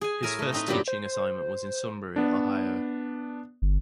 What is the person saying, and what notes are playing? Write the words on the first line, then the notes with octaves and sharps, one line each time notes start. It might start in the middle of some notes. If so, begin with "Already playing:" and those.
His first teaching assignment was in Sunbury, Ohio.
G#4 G#5
A2 A#4 E5 G#5
A3 D#5
C4 D#4 B4
G2 A#2 F#3 C4 G4 B5
C5
B3 D4
G1